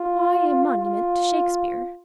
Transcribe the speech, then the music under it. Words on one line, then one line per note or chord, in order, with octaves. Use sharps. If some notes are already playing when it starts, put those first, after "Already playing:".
Why a monument to Shakespeare?
Already playing: F4
F4